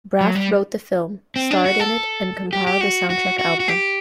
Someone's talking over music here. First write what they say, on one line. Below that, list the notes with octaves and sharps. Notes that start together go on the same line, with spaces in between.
Braff wrote the film, starred in it, and compiled the soundtrack album.
F#3
G3
C4
D4
F#4
A4
G4
G4
F#4
F#4
F#4
F#4
G4